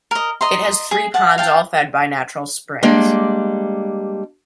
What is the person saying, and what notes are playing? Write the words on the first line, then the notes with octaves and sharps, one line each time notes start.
It has three ponds all fed by natural springs.
A#4 D#5
D#5 A#5 C6
G#4
F#5 A5
F5 G5 A5
G3 G#3 A#3 D4